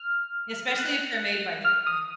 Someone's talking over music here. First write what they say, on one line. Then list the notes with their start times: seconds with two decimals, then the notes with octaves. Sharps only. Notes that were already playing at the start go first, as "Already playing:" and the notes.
especially if they're made by J from J
Already playing: F6
0.79 F#6
1.65 F6
1.87 D#6